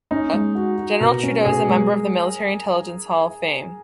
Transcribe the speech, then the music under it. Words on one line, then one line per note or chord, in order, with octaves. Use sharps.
General Trudeau is a member of the Military Intelligence Hall of Fame.
C#4 D#4
G#3
F#4
F#4
B2 A#4
C#4
B2 G#4
G#3